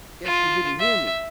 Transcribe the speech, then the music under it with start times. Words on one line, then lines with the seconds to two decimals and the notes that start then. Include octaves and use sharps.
Guess you didn't hear me.
0.25 F4
0.79 E5